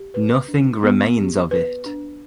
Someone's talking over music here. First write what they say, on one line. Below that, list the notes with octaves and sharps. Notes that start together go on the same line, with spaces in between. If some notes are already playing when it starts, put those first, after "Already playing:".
Nothing remains of it.
Already playing: G4
B4
D4
B3
G4
B4
D4